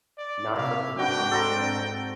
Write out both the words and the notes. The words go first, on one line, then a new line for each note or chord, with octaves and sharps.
Not for the first time today.
D5
C3 A#3 E5 F5
G#2 C4 D4 F#4 B4 G5
A4 C5 A#5